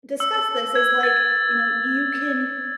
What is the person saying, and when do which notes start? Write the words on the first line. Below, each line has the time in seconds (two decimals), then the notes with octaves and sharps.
discuss this is, like, you know, you can
0.20 E6
0.75 G#6
1.03 A6